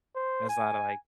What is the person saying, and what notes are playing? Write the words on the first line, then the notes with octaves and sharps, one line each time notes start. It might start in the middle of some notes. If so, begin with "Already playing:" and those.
there's a lotta like,
C5
G#5